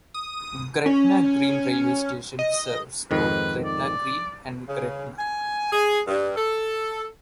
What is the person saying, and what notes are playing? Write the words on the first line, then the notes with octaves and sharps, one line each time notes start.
Gretna Green railway station serves both Gretna Green and Gretna.
D#6
C#4
D#5
F2 G#2 D#3 B4
D5
C#3
G#5
G#4
G2
A4